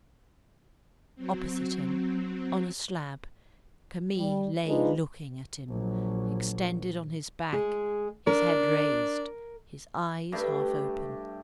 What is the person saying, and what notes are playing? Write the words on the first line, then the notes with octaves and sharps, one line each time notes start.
Opposite him, on a slab, Camille lay looking at him, extended on his back, his head raised, his eyes half open.
F#3 C4
G3
F3 G#3 D4 D#4 F4 B4
A#1 F#3
G#3 G#4
D4 A#4
G2 A3 D4